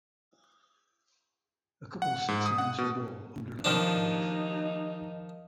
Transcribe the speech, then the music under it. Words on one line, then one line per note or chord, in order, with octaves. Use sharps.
A couple sits against a wall, under an art relief.
F#5
G#2
D#6
F#5
B2
D#3 F3 D4 D#4